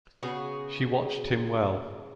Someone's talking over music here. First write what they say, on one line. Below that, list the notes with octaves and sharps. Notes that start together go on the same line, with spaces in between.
She watched him well.
C#3 B3 F#4 G#4